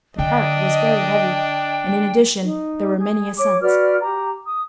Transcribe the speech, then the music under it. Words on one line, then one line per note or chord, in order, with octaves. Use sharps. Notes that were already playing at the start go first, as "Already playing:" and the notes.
The cart was very heavy, and in addition, there were many ascents.
D3 D4 D#5 G5
D#4
G#4
C#5 D6
F#4 B4 D5 F6
G4 A#5
D#6